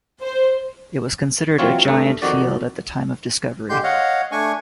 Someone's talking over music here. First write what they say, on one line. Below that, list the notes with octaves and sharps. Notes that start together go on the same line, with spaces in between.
It was considered a "giant" field at the time of discovery.
C5
E3 F#3 C4 F4 C#5
G2 A3
F2 D#3 F#4 D5
D3 G#3 G4 C6 G6
C#5 D#5 F5 F#5
A3 D4 G#5 C#6